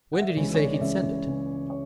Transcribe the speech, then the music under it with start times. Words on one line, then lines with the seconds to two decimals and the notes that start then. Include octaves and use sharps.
"When did he say he'd send it?"
0.13 F#5
0.21 E5
0.29 D5
0.36 C#2 C#3 E3 G#3 C#4 C#5
0.55 C#5
0.59 D5
0.74 D5
0.81 C#2 C#3 E3 G#3 C#4 E5
1.26 C#2 C#3 E3 G#3 C#4
1.70 C#5